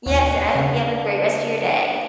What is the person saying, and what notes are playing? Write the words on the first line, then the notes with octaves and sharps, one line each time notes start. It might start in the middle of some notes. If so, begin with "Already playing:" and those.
yes, and I hope you have a great rest of your day.
D#2 B2 C#5 F#5
C#3 B3 D4